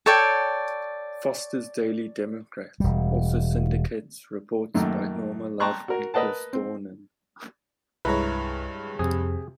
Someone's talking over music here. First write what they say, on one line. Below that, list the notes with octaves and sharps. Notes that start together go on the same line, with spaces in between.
"Foster's Daily Democrat" also syndicates reports by Norma Love and Chris Dornin.
A4 C#5 D5 G5
E1 G3
F#2 D#3 A3 A#3
G5 A5 A#5 C6 C#6 F#6
F#4 A#4
A#4 B4 D#5 F#5 A5
C4
C2 G2 G#3 E4 B4 C#5 A#5
F2 C3 G#4